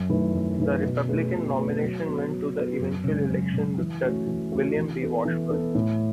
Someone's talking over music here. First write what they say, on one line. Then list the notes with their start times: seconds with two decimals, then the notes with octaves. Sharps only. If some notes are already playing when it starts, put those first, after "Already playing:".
The Republican nomination went to the eventual election victor, William B. Washburn.
Already playing: F#2
0.10 D#3 A3 E4 B4
0.34 F#2
0.59 D#3 A3 E4 B4
0.83 B2
1.08 A3 C#4 G#4 B4
1.32 B2
1.56 A3 C#4 G#4 B4
1.82 F#3
2.06 B3 F#4 B4
2.31 F#3
2.55 B3 F#4 B4
2.79 F#2
3.04 C#3 G#3
3.29 F#2
3.53 C#3 G#3
3.78 E3
4.03 A3 C#4 F#4
4.27 E3
4.52 A3 C#4 F#4
4.77 E3
5.01 B3 E4 A4
5.25 E3
5.50 B3 E4 A4
5.75 A2